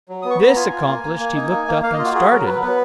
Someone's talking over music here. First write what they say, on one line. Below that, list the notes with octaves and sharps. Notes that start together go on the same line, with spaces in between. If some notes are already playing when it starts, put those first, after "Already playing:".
This accomplished, he looked up and started.
F#3
B3 D#6
C#6
B3 B5
A#5
F4 G#5
F4
A#3
A#3
A#3
D#4
A#3
A#3
A#3 F5
D#5
F4
F#4
F#4 G#4
F#3 A#4
F#3 B4
B3 B4